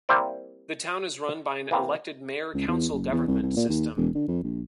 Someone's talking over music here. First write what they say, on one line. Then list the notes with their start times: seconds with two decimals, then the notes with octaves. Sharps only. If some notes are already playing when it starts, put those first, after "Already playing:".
The town is run by an elected Mayor-council government system.
0.09 G3 A#3 C4 E4 C5 D5
1.71 E3 A#3 C4
2.54 C#2
2.68 E2
2.93 F#1
3.12 E2
3.28 C2
3.42 C2
3.56 A#2
3.69 D#2
3.97 E1
4.15 D3
4.28 F2
4.43 A#1